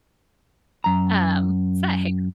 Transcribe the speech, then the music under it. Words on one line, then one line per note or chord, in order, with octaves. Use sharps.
um, it's that hair.
F#2 A#5